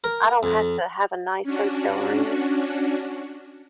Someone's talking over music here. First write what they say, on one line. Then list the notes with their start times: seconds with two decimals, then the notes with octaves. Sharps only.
I don't have to have a nice hotel room,
0.04 A#4
0.43 F2
1.43 C#4 D4 F#4